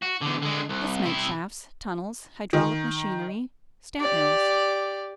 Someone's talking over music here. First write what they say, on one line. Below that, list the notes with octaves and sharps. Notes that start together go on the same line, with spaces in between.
This meant shafts, tunnels, hydraulic machinery, stamp-mills.
F#4
E2 D3
D3 G#3
C2
C3 E4
D#3
G4 D5